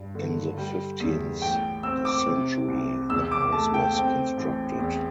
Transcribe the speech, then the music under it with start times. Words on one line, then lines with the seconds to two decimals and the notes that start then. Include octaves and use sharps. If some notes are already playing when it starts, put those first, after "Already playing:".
In the fifteenth century the house was constructed.
Already playing: G2
0.15 D3
0.58 G3
1.00 E2
1.42 A1 G5
1.83 C4 E6
2.05 D6
2.26 C3
2.68 C2
3.10 E2 E6
3.32 D6
3.52 A3 A5
3.74 G5
3.94 C4 G5
4.37 A1
4.79 E2